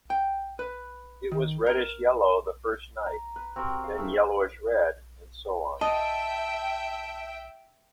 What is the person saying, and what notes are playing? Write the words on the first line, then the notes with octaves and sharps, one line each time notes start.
It was reddish-yellow the first night, then yellowish-red, and so on.
G5
B4
D#3
A#4
A#5
B4
C4 F#4 G4 A#4
F5
G#3 A3 E4 E6
D#5 E5 G5 A5